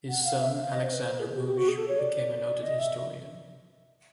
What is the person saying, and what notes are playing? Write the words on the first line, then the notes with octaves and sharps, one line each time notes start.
His son Alexander Bugge became a noted historian.
F#5
F5
E5
F5
D#5
C5
B4
C5
G#4
G4
G4
F#4
G#4
A4
C#5
D5
D#5
E5